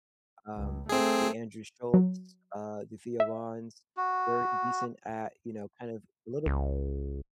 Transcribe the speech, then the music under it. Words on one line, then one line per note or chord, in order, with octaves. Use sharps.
um, like, the Andrew Schultzs, uh, the Theo Vanns, they're decent at, you know, kind of little
C#2
A3 C4 G#4
F#3
E5
F#4
C#2